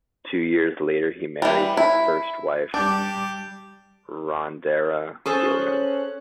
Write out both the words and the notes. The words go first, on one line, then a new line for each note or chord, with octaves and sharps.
Two years later he married his first wife, Rhandera Gilman.
E3 G3
E4
G3 D4 G4 A5 G6
C#4 G#4 A4 C5 F#6